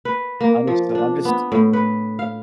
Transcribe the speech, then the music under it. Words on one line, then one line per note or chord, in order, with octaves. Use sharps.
Understood, I'm just
B4
A#3
F3
D4
B3
A2
B4
F5